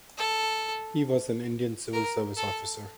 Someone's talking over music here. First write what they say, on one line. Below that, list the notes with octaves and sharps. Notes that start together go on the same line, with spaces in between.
He was an Indian Civil Service officer.
A4
A#4
A4